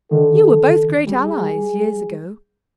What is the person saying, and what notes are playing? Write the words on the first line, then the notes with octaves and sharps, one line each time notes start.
You were both great allies, years ago.'
D3 D#3 A4
G3 G#4